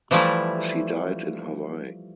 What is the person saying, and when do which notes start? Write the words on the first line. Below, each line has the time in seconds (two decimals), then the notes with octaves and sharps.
She died in Hawaii.
0.11 E3 F3 G3 A3 E4